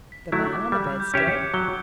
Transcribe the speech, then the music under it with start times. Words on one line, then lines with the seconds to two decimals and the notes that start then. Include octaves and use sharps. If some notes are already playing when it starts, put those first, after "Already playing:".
"The man on the bedstead?"
0.12 B6
0.32 F#3 A3 E4 F#6
0.53 D6
0.72 G3 F#6
1.00 G6
1.14 C#4 G4 C#5 E5
1.27 C#7
1.54 F#3 G7